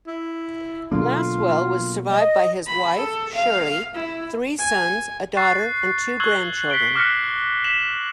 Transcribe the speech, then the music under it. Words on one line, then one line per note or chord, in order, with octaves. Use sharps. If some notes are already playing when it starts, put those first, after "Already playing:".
Lasswell was survived by his wife, Shirley, three sons, a daughter and two grandchildren.
E4
B2 D3 F#3 A#3 F4
D#5
B5
A4
F5
E4
G#5
C#6 F#6 A6 C7
C#6 E6 F#6 G#6 F#7 G7
B6 C7 D7 G7
D6 F6 F#6 A#6 B6 C#7
B6 E7 F#7